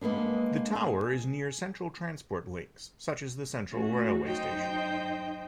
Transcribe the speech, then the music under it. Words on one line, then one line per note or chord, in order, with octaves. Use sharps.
The Tower is near central transport links such as the Central railway station.
G#3 A#3 B3 D4
G#4
A3 C#4 F#4
F#2 D#4 C5 D#5 G5 G6